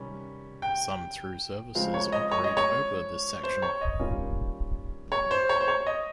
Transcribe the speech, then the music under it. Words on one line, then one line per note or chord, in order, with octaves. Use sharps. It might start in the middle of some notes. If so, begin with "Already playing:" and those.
Some through services operate over this section.
Already playing: C3 D#3 G3 C#4
G5
C#3 F3 G#3 C4 F5
C#5
D#5
C#5
D#5
C#5
C5
C#5
D#5
D#3 G3 A#3 C#4 F4
C#5
C5
C#5
C5
C#5
D#5